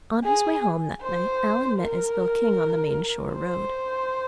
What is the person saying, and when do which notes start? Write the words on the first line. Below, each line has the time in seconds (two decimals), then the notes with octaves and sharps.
On his way home that night Alan met Isabel King on the main shore road.
0.24 G#4
1.02 C5
1.80 A#4
3.35 C5